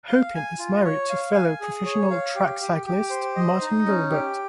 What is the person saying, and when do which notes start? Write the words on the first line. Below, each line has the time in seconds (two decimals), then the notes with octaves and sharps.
Hupin is married to fellow professional track cyclist Martin Gilbert.
0.09 F5
0.35 G#5
0.59 F4
0.85 C#5
1.10 F5
1.35 G#5
1.61 G#4
1.85 C#5
2.10 F5
2.35 G4
2.61 G4
2.86 G4
3.10 C5
3.35 D#5
3.61 D#4
3.86 C#4
4.10 G4